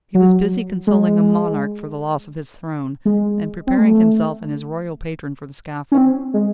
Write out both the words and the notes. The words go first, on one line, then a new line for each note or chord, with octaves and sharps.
He was busy consoling a monarch for the loss of his throne, and preparing himself and his royal patron for the scaffold.
F#3
G#3
G#3
C4
A3
C#4
C4
G#3